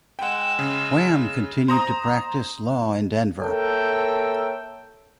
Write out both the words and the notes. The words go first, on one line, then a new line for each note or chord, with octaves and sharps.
Wham continued to practice law in Denver.
G#3 F#5 G5 E6
C#3
C5 A#5 D#6
A#3 A4 A#4 C#5 E5 G5